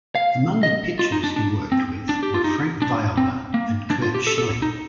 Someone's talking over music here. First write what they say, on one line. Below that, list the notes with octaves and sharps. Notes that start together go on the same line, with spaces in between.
Among the pitchers he worked with were Frank Viola and Curt Schilling.
F5
D#5
F4
D#4
D4
D4
C4
D4
G4
F4
D#4
D4
C4
A#3
D4
F4
G4
A4
A4
D#4